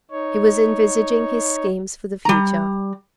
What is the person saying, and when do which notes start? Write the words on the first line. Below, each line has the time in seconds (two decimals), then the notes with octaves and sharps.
He was envisaging his schemes for the future.
0.11 D#4 C#5
2.25 G3 A#5